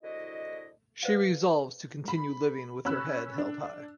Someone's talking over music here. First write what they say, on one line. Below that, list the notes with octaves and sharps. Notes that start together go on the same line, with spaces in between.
She resolves to continue living with her head held high.
C2 D3 E4 F#4 D#5
B4 C5 D5 D#5 F5 F#5
B5
C#4 B5 E6 F#6
D4